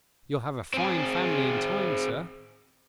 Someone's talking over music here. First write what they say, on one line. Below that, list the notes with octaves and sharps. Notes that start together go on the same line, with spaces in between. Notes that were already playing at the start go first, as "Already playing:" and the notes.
You'll have a fine family in time, sir.'
C4 G#4